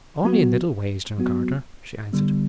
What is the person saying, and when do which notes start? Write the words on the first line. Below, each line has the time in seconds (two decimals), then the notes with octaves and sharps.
"Only in little ways, John Carter," she answered.
0.24 F#3 B3 F#4
1.18 F#3 B3 F#4
2.13 D3 G3 B3